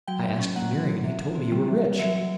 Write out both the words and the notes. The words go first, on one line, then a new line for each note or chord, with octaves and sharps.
'I asked Veneering, and he told me you were rich.'
F#3 G5
F#3
C#4
A#3 F#5
F#3
F#3
E3
E3
C4
G3
E3
E3
F#3 E5
F#3